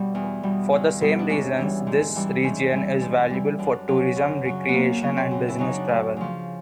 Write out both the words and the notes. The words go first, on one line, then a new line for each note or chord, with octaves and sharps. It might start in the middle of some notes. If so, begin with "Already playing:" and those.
For the same reasons this region is valuable for tourism, recreation and business travel.
Already playing: B2 G3
E2
B2 G3
E2
B2 G3
D4
G#2 C#4
E3 G3
G#2
E3 G3
G#2 C#4
E3 G3
G#2
E3 G3
F#2 D4
C#3 F#3
F#2
C#3 F#3
F#2 A#3 B3
C#3 F#3 B3
C4
F#2
E4
C#3 F#3 D#4
D4
D2
C#3 F3